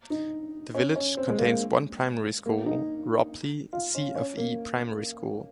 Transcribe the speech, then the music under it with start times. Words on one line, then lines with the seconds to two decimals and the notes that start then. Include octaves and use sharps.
The village contains one primary school, Ropley CofE Primary School.
0.10 D#4
0.74 C#4
0.96 C#4
1.17 C4
1.29 G#3
1.39 A#3
2.46 A#3
2.66 D#4
3.73 F4
3.95 C#4
4.15 C#4
4.37 A#3